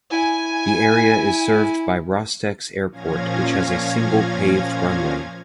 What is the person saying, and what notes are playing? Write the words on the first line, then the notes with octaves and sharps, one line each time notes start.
The area is served by Rostex Airport, which has a single paved runway.
E4 G#5
A#2 F3 C#4 F5 G#6 A#6